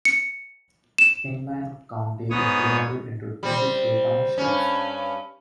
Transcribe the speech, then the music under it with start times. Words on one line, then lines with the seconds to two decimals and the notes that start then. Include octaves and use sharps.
Kingman County is divided into twenty-three townships.
0.05 C#7
0.98 E7
2.30 G#2 B3 C#5 D#6
3.43 G3 C4
4.38 G2 C#4